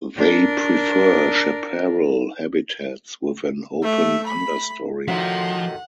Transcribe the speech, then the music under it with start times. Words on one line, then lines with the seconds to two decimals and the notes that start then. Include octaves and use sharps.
They prefer chaparral habitats with an open understory.
0.17 D4 A#4
3.82 A3 E5
4.26 B5
5.08 A2 C3 D#3 F3 F#4 A4 F#5 B6